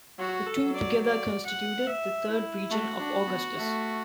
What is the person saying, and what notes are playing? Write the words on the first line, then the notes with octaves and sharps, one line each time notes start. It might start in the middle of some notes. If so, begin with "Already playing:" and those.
The two together constituted the third region of Augustus.
F#3 F#4
A4
F#3
D5
D5
F#5
E5
E4
A3 F#4
D4
B3
A3